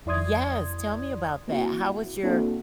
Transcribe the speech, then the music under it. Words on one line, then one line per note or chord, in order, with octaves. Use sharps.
Yes, tell me about that, how was your
F2 E4 D5 C6 D#6 G#6
A#3 C4 E4 F#4
A#3 C4 D4 E4 F#4 A4